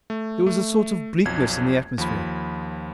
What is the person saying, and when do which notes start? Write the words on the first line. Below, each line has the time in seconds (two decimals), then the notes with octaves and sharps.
There was a sort of bleakness in the atmosphere.
0.10 A3
0.46 A3
1.25 B1 F2 G#6
1.98 D#2 F3 B5